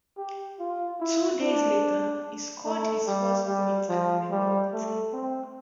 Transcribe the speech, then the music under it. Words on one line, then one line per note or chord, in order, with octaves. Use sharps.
Two days later, he scored his first points as a member of the team.
G4
F4
E4
D4
A3
G3
G3
F3
G3
A3
C4